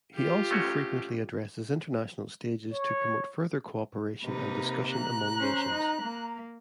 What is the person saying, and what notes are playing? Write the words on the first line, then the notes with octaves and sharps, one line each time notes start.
He also frequently addresses international stages to promote further cooperation and discussion among nations.
F4 G4
A3 C#4 F#4
C#5
C3 A#3 D#4 B4
A#5 F#6
C#4 C5
D#4
A#3